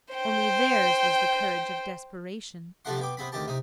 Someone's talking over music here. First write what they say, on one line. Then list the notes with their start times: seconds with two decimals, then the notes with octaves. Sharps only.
Only theirs was the courage of desperation.
0.14 C5 G5
2.85 C3 F3 A3 D4 F#5 C6
2.99 B2 G5 D6
3.17 C3 B3 C4 B5
3.32 D2 D#3 C4 G4 A5
3.48 C3 D#4